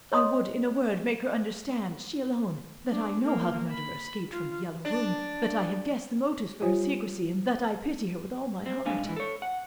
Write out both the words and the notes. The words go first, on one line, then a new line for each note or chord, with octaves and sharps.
I would, in a word, make her understand--she alone--that I know how the murderer escaped from The Yellow Room--that I have guessed the motives for her secrecy--and that I pity her with all my heart.
C#5 D#5 C6 D#6
D4
A#3
B5
F4
D4
G3 F4 G4 C5 C#5 G#5
C4
G#2 D4 F5 G#5
G#2 E3
A4 C#5
F#5